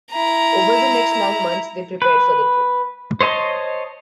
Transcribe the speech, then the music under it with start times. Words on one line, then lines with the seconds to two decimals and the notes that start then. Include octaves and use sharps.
Over the next nine months they prepared for the trip.
0.12 E4 A#5
2.02 B4
3.21 C5 C#5 D#5 A5 C6